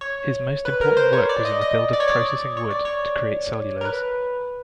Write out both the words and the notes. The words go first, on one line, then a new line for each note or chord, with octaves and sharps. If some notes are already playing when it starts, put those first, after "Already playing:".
His most important work was in the field of processing wood to create cellulose.
C#5
B4
A#4
C5
C#5
D5
D#5
D#5
D5
C#5
D5
C#5
D5
C#5
A#4
B4